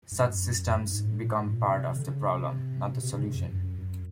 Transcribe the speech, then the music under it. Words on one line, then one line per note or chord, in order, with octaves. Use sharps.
Such systems become part of the problem, not the solution.
G2
F#2
F#2
G2
G#2
A2
A#2
A2
G#2
A#2
C3
D3
C#3
C3
B2
C3
C#3
C3
F#2
G2
F#2
F#2